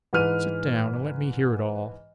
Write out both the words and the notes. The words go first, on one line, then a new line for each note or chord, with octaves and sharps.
Sit down, and let me hear it all.
G#2 E3 B4 F6 D#7